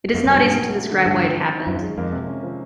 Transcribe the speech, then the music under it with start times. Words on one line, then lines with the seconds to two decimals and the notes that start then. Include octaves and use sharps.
It's not easy to describe why it happened.
0.14 F#2 A#3
0.25 F#2
0.29 B2
0.36 G2
0.45 C#4
0.60 F#3
0.75 A3
0.91 D3
1.06 G2 D4
1.21 F3
1.37 C4
1.51 D#3
1.66 F#2 F4
1.82 G#3
1.97 F2 A#3
2.13 C3
2.27 C#4
2.43 F3